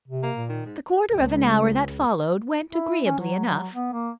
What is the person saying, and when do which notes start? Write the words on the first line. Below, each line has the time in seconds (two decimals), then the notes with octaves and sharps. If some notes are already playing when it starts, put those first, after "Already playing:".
The quarter of an hour that followed went agreeably enough.
0.08 C3
0.23 A#3
0.36 A#2
0.49 D#3
0.66 G#2
1.13 C#2
2.71 E4
3.05 C#4
3.19 F#3
3.45 F#3
3.73 B3
3.93 A#3